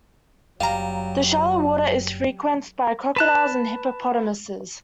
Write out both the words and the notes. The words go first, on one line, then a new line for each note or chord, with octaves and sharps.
The shallow water is frequented by crocodiles and hippopotamuses.
F#1 F#3 G3 F5 A#5
B4 A5 F#6